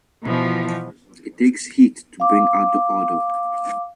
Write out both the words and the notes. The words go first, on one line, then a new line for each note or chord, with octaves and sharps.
It takes heat to bring out the odor.
B2 E3 F3
F5 D6